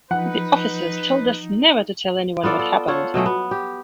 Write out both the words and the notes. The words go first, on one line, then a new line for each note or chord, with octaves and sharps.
The officers told us never to tell anyone what happened.
F3 D#4 B4 F#5
B3 F4 A4 D5
A4
F4 A4 C#5 F#5
B2 F#3 A3 G#4
B3
G4